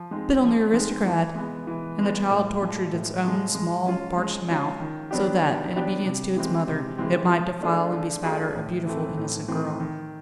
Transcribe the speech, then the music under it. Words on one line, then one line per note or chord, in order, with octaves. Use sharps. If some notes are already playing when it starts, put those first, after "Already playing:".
"Spit on the aristocrat!" And the child tortured its own small, parched mouth so that, in obedience to its mother, it might defile and bespatter a beautiful, innocent girl.
Already playing: F3
G#3 C4 D#4
F3
G#3 C4 D#4
E3
G#3 B3
E3
G#3 B3
A2
F3 G#3
A2
F3 G#3
G#3
C#4 F4
G#3
C#4 F4
D#3
F#3 B3 D4 G4
D#3
F#3 B3 D4 G4
C3
E3 G#3 C4
C3
E3 G#3 C4
F3
A3 D4 F4 G#4
F3
A3 D4 F4 G#4
A2
E3 A3 C4
A2
E3 A3 C4
D#3